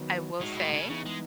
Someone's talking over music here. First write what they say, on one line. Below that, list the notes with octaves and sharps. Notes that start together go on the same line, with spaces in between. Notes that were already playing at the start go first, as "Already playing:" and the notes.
I will say
Already playing: D#3 F#3 B3
A2 G#3 D#4 F#4
B2
A2
C#3
B2
C#3 E3 B3 D#4
G#3